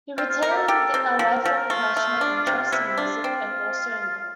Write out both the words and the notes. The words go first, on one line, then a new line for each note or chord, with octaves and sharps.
He retained a lifelong passionate interest in music, and also in golf.
C4 F4
F4
A#4
G4
A4
G4 A4
A4
C4
A4
F3 A4
A#4
F3 A4
A#4
A3 F4
A3
D4
C3
C3 E4
D4 F4
C4